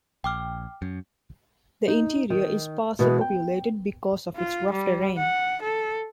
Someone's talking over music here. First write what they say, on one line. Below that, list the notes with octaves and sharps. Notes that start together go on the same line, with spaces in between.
The interior is sparsely populated because of its rough terrain.
A#1 G5 D6 F6
F#2
D#4
D#3
B2 E3 G#3 B4
G5
F4
G3
F#5
A4